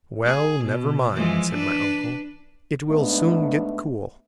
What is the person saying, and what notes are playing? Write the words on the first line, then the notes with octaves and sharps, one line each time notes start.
"Well, never mind," said my uncle, "it will soon get cool."
G#4
B2
E3 F3 G#3
D4 B4
G#2 A3 B3 D4